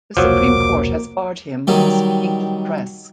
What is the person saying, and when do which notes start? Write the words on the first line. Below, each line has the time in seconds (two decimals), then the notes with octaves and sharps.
The Supreme Court has barred him from speaking to the press.
0.17 E1 C2 F3 F#3 A#3 D6
1.67 D#3 F#3 G3